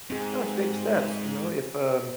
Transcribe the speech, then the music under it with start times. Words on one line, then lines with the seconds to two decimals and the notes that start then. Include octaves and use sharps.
No, it's big steps, you know? If, um
0.10 G#2 C4 G#4